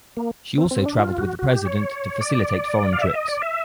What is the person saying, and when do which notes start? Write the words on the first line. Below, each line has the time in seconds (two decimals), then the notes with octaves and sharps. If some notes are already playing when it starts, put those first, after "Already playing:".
She also traveled with the president to facilitate foreign trips.
0.17 A#3
0.58 C4
0.71 C4
0.86 D4
0.99 F4
1.18 F#4
1.39 F#4
1.53 G4
1.66 C#5
2.21 D5
2.93 F5
3.01 E5
3.14 D#5
3.28 D5
3.42 E5